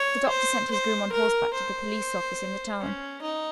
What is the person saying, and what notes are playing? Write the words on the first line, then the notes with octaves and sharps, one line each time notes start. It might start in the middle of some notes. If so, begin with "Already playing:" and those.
The doctor sent his groom, on horseback, to the police-office in the town.
Already playing: C#5
C5
C5
A#4
C5
C#4
D#4